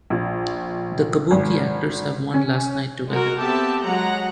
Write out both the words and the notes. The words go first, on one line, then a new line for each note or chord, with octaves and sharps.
The kabuki actors have one last night together.
A#1
G#1
C#4
G#3 F#4 A#4
B3 C4 G4 A4 E5 A5
F#3 G#3 F#5 A#5